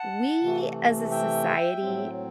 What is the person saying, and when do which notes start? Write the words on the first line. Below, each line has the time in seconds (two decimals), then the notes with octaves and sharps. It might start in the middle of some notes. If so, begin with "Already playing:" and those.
we, as a society,
Already playing: F#5 A5
0.41 C3 E3 A3
1.11 E5 G5
1.81 A2 F#3 C4